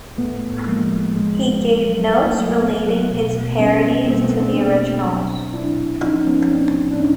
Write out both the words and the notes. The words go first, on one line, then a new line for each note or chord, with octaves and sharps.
He gave notes relating his parodies to the originals.
A2 A3 B3
A2
F3 G#3 A#3
F3
A#2 G#3
A#2
A#2
F#3
A#2 A3
A#3
F#3 A3
A#2 A3 B3
F#3
B2
B2
G3 B3 C#4
G3
B2 A#3 C4
A3 B3
G3
C4 D4
B2
B2
F#3
F#3
F#3 D4 E4
A#2
F3 C#4 D#4
F3 B3 C#4
A2 C4 D4
A2
D4
C#4 D#4